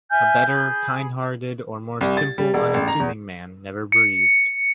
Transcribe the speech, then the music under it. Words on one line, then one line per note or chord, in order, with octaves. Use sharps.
A better, kindhearted or more simple, unassuming man never breathed.
E5 G#5 F6 G6
G#4 B5
C2
A6
G3
E1
A1
A#5
E2
C#7